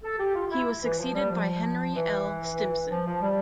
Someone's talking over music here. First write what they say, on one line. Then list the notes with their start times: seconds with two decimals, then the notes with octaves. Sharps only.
He was succeeded by Henry L. Stimson.
0.03 A4
0.19 G4
0.35 F4
0.46 F4
0.51 E4
0.83 E3
0.99 F3
1.15 G3
1.30 F3
1.95 E3
2.90 F3
3.06 F3
3.22 G3